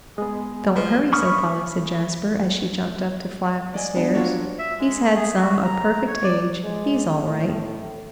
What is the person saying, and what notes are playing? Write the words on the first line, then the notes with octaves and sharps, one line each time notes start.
"Don't hurry so, Polly," said Jasper, as she jumped up to fly up-stairs. "He's had some a perfect age--he's all right."
G#3 B3 G#4
F3 F#3 G#3 B4
B5 C#6 D#6 F6
D5 D#5 G#5
G3 B3 D4
F#3 D4 F4 F#4 C#5
E5
G#3
G#4
F#4
A#5
C#5
D5
G#3
A2